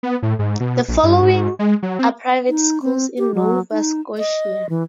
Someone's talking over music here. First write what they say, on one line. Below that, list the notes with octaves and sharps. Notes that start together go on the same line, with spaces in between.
The following are private schools in Nova Scotia.
B3
A2
G#2
B2
A#1
G2
G#2
G#3
F#3
C4
D#4
C4
G4
F#3
D#4
D#5
E3